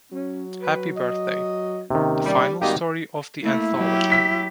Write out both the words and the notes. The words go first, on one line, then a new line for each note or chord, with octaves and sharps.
Happy Birthday - The final story of the anthology.
F#3 C#4
B4
D#5
D#2 C3 D#3 C#4
G3
G#1 D#3 G3 A#3 F#4 G4 D#5
A3 A#3 E4
F#3 G4
B6